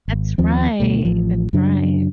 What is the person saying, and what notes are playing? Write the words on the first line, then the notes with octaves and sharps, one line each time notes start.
That's right, that's right.
G#1
D#2 F3 C4
D2 B2 A3
A1 F3
F#2 C#3 F#3 D4